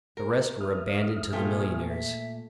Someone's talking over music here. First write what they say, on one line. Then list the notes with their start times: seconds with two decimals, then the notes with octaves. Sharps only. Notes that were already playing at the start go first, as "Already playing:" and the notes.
The rest were abandoned to the millionaires.
0.17 A#4
0.60 E5 D#6 F6
1.33 A#2 A3 F4 G5 G#5
1.90 E5